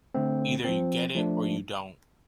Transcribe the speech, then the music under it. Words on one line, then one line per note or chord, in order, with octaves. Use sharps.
Either you get it or you don't.
D3 A3 C4
F3 C4
F3 A3 D4